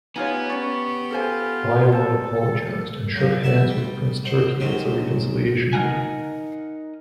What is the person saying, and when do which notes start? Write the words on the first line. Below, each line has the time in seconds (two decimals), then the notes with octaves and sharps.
Ayalon apologized and shook hands with Prince Turki as a reconciliation measure.
0.16 B3 D#4 F4 G4 C#5 G#5
0.50 C#4 D5 C#6
1.11 F4 A4 C5 G#5
1.92 A4 C5 A5
3.16 F#2 A#2
3.44 E5 F#5
3.69 G3
4.24 B2 C5
4.60 C3 D#3 F#3 G#3 C4
5.73 D#4 A#4 F#5 G#5